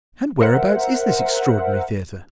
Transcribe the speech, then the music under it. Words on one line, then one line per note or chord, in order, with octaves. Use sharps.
And whereabouts is this extraordinary theatre?
A#4 C5 E5 F#5